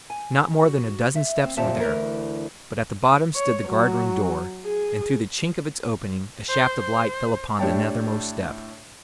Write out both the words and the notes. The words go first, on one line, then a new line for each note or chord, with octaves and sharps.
Not more than a dozen steps were there; but at the bottom stood the guardroom door, and through the chink of its opening a shaft of light fell upon the nethermost step.
G#5
F#4
E5
C4
D#2 A#2 C4 G4 E5 A5
D2 A#2 E3 A#4
C#5
F#3
G#4
C5
C5
A2 D4 G4 C#5 G5 A5